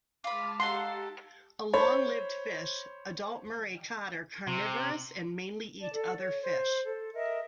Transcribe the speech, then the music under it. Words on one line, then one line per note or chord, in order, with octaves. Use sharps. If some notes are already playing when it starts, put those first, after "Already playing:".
A long-lived fish, adult Murray cod are carnivorous and mainly eat other fish.
G#3 F4 A5 B5 D6 F6
D#4 G4 A4 F5 F#5 A5 C6
C5 C#5 B5
C3
D5 A5
A4
C#5
C5
A4
A#4 D#5 E5